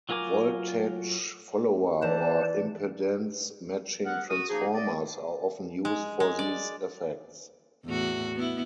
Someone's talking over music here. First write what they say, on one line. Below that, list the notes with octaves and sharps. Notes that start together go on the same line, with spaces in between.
Voltage follower or impedance-matching transformers are often used for these effects.
F#3 F4 A#4 G#5 D6
E3 B4 C5 D5 A5
B3 A#4 F#5
F#4 D#6
F3 A#3 D#4 G#4
D5 D#5
G#3
G#3
D5
E2 A2 F#4
B3 E4